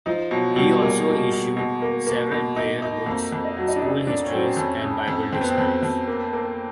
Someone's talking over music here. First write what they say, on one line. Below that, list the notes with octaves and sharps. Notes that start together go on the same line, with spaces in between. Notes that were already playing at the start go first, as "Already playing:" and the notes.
He also issued several prayer books, school histories, and Bible dictionaries.
F3 D#4
B2 F#3
B2 G3
G#3 A#3
A#3
B2
B2
A#3
A#3
B2
D#4
D#4
F2 A#3
F2
D#4
F#3
D#4
D4
C#3 D#4
F2 D4
C#4
F#3 C4
C4
F2 C#4
C#3
F2
F2 C4
B3
C4
F2
F2
A#3
A#3